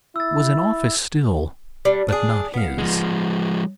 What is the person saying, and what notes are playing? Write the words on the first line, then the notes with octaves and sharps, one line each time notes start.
It was an office still, but not his.
E4 E6 A6
G3 D4
D4 G#4
B3 F5
F3 G#3